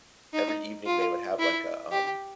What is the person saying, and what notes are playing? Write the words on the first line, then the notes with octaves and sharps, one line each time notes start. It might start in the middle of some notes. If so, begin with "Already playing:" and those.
every evening, they would have, like, a, um
D#4
F4
E4
G4